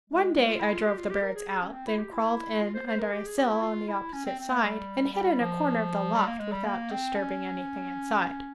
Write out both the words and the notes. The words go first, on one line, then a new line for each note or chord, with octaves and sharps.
One day I drove the birds out, then crawled in under a sill on the opposite side, and hid in a corner of the loft without disturbing anything inside.
G#3
G#3
F4
E4
F4
G4
F4
G4
A#4
G#4
G#4
C#4
C4
E4
G4
E4
F4
C5
C5
A#4
G4
G#4
G4
E4
F4
E4
C#4
C4
C4
A#3
G3
G3
F3
G3
A#3
G#3
G3
A#3
C4
C#4